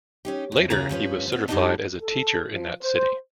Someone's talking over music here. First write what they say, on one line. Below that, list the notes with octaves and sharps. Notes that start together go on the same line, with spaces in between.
Later he was certified as a teacher in that city.
C#4 D#4 G4
F2 E5
D#2 A#2 C#3 E4 G#4 A#5
G2 F3 C#4 B4
B3 C4
F#2 G3 D4 D#4 D#5 A5
A4
F3
C5